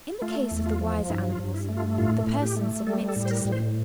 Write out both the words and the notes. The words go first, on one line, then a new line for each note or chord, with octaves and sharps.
In the case of the wiser animals, the Person submits to Sleep.
A3 F4
E2
F4
F3
G2 E4
F4
G2
E4
A3
F4
A2 F4
A2
G4
A3
G3 A4
A4
A2
C5
A#4
A2
C5